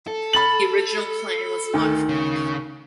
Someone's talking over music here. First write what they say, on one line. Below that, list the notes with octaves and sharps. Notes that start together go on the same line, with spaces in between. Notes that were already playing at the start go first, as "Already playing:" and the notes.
The original plan was modified.
A4
B5 A6 F#7
D2 D#3
C#3